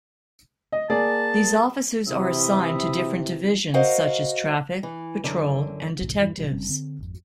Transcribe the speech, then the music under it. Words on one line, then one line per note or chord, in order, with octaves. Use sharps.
These officers are assigned to different divisions such as traffic, patrol and detectives.
D#5
A#3 G#4 D5 A5
C3 E3 E5 B5 D#6
F#4 A#4 C5 D#5 F5 F#5
E3
F#2 D3
F1 B1 G#2 D#3
E2 G2 E3
D#1 B2 F3 G3
F1 G3 C4 C#4
D3 C4
D#1 G#1 F2